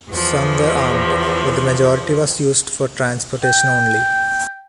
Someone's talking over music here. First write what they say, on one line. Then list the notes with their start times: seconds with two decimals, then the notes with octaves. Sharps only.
Some were armed, but the majority was used for transportation only.
0.11 E2 E3 F3
3.44 G5